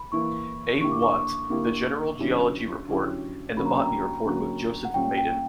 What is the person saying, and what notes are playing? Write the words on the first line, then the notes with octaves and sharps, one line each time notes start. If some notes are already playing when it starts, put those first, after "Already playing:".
A. Watt, the general geology report, and the botany report with Joseph Maiden.
Already playing: B5
E3 A#3 E4 C#6
D3 A#3 E4 G4 C#6
D6
C#6
D3 A#3 E4 G4
D3 F#3 C#4 E4 G4
D3 F#3 C#4 E4 G4
D3 F#3 A#3 C#4 F#4 B5
A#5
G5
A#5
D3 F#3 A#3 C#4 F#4
F#5
A#2 G3 C#4 G5
G5